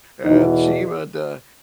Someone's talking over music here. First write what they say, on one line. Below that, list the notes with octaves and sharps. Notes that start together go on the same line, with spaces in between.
And she would, uh
E2 B2 D#4